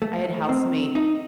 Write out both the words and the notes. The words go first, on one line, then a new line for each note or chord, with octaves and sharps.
I had housemates
A3
C4
D#4